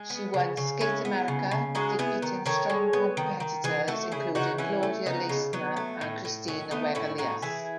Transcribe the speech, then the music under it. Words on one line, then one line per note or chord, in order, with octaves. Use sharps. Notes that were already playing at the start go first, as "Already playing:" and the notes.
She won Skate America, defeating strong competitors including Claudia Leistner and Kristina Wegelius.
Already playing: G#3
B3
C#3
C#3
G#3 C#4 E4
B3
C#3
C#3
G#3 D#4 F#4
B3 E4 G#4
D#3
D#3 A4 C#5
G#3
B3
D#3
D#3
E3 G#4 B4
A3 F#4 A4
C#3 E4 G#4
C#3 D#4 F#4
E3 C#4 E4
A3
C#3 B3 D#4
C#3
F#3 B3
A3
A2
A2
F#3 C#4
A3 B3 D#4
A2 C#4 E4
A2 D#4 F#4
E3 E4 G#4